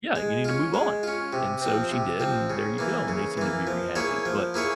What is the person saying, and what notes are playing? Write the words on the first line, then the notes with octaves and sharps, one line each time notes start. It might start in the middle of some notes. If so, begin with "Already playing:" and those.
Yeah, you need to move on, and so she did, and there you go, and they seem to be very happy, but,
G#3
C#4 F4
G#3
C#4 F4
C3
F3 C4
C3
F3 C4
C#3
E3 A#3
C#3
E3 A#3
F3
A#3 E4 G#4 C#5
F3
A#3 E4 G#4 C#5